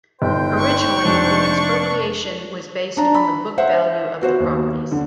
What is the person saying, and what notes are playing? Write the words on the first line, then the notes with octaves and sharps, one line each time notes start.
Originally, the expropriation was based on the book value of the properties.
G1 D#4 B4 C5 G5
C#6
F1 D4
D4 A#5
B5
C5 E5 F#5
B3 F#4 C5
D#2
D3